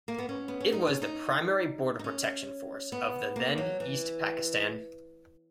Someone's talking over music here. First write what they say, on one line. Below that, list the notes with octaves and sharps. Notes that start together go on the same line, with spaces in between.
It was the primary border protection force of the then East Pakistan.
A#3
B3
C#4
B3
C#4
D#4
C#4
D#4
D#4
C#4
B3
A#3
F#3
E3